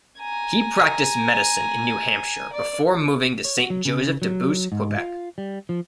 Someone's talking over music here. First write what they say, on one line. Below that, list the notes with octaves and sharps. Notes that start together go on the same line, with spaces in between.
He practiced medicine in New Hampshire before moving to Saint-Joseph-de-Beauce, Quebec.
G#5 A#5
D5
C#5
F#4
F#3
C#3
F#3
G#2
F4
G3
F3